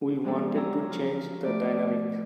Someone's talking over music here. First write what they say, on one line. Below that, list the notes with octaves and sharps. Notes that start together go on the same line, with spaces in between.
We wanted to change the dynamic.
F3 G#3 B3 D4 G4 A4
F#3 C#4 G4 A#5 E6
F3 F4
A2 A3 D5